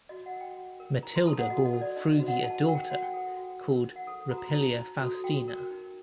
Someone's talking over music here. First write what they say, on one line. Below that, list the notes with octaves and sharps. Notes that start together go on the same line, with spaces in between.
Matidia bore Frugi a daughter called Rupilia Faustina.
F#4 D#5
F#5
A#4
G5
F#4
A#4
D#4 A#5
C6
A4 C5 A5
F#5
F#4 D#5
D#5
A4 C5
D5
D#4 D#5
D#5
F#4 C5
F#5
D#4 A5
G4 A#4 F#5
G5
F#4 F#5
G5
A4 C5 F#5
F#4
A#4
D#4
F#5
A4 C5 D#6
F#4 A#5
A#5
C5 A5
D#4
F#4 A4 C5
F#4 G5
A#4
D#4